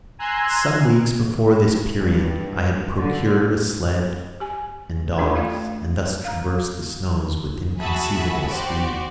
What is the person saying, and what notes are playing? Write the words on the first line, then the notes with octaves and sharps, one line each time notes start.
Some weeks before this period I had procured a sledge and dogs and thus traversed the snows with inconceivable speed.
G#5 A#5 C6 E6 F#6 G#6
G2
D3
G4 G#5
A3 C#4 D4 F4 G4 A4
A3 F4 D5 F5
F5 A#5
F#4 G#4 E5 A5 B5
F#4 G4 C5 D5